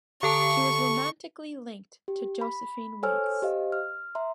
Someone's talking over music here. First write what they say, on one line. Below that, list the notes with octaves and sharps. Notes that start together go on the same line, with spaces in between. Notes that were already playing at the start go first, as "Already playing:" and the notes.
She was romantically linked to Josephine Wiggs.
D3 A4 A5 C#6
G4
B5
A4 C5 C#5 G#5 E6 F6
G4 C5 D#5 F5
F6
E5 A#5 C6